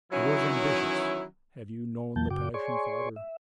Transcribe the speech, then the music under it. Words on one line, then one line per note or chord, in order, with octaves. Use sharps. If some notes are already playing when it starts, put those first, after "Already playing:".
I was ambitious--have you known The passion, father?
D#3 E3 F#3 C#4 E4
E2 E3 F#3 A#3 A5 G6
F#2 C#3 F#4 G5 D6
G#4 C#5 D5 G#5 C6 C#6
E5